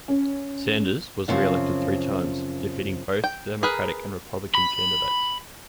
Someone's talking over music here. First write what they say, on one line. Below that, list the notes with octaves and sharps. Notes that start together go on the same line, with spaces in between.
Sanders was reelected three times, defeating both Democratic and Republican candidates.
C#4
F#2 C#3 F3 C4
G5
G#4 A#4 B4
B5